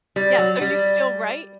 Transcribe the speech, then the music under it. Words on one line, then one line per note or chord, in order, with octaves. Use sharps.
Yes, so you still write?
G3
F#3
G3